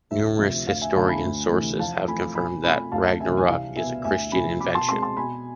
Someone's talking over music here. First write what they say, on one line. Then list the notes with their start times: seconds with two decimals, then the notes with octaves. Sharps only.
Numerous Historians’ sources have confirmed that Ragnarök is a Christian invention.
0.11 D2 E5
0.39 C3 F3
0.67 D2 F5
0.82 E5 G#5
0.95 D3 A3 D4 F5 A5
1.09 G#5 B5
1.24 D2
1.51 C3 E3 A3 E4
1.79 F2 F5 A5
2.08 E3 A3 C4 F4 G#5 B5
2.35 B2 G#5 B5
2.64 A3 C4 F4 G#5 B5
2.92 D2 F5 A5
3.20 C3 E5 G#5
3.24 E3
3.37 G#5
3.48 C2 F5
3.76 B2 E5 G#5
3.80 B3
4.04 D2 E5 G#5
4.32 C3 F3 G#5 B5
4.60 B2 B5 D6
4.75 A5 C6
4.88 G#3 C4 A5 C6
5.03 A5 C6
5.17 B2 G#5 B5